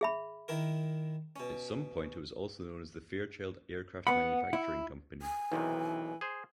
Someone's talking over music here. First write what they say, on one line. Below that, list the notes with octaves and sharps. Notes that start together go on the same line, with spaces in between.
At some point, it was also known as the Fairchild Aircraft Manufacturing Company.
G#4 E5 B5
D#3 E4 A#4
B2 C#4
B3 F#5 B5
E4
G#5
B1 C3 D#3 E3
G#4 C5